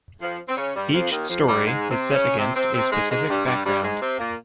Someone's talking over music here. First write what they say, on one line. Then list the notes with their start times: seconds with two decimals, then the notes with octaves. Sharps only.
Each story is set against a specific background.
0.21 F2 F3
0.49 C4
0.57 C#3 C#4
0.75 G2 G3
0.94 F2 F3
1.12 D#2 D#3
1.29 F2 F3
1.47 G2 G3
1.66 G#2 G#3
1.90 C3 C4
2.14 C#3 C#4
2.38 C3 C4
2.56 C3 C4
2.74 C3 C4
2.92 G#2 G#3
3.11 G#2 G#3
3.29 G2 G3
3.46 G2 G3
3.65 G2 G3
3.83 G#2 G#3
4.01 C3 C4
4.19 A#2 A#3